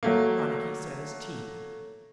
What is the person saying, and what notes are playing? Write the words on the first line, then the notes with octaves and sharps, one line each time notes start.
Ronicky set his teeth.
F#3 A3 A#3